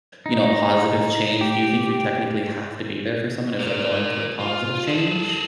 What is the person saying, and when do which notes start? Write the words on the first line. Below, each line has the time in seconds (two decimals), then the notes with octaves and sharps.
you know, a positive change. Do you think you technically have to be there for someone if they're going through a positive change?
0.26 D#4
1.41 G4
3.59 A#4 D5
4.40 F4
4.87 G#4 A4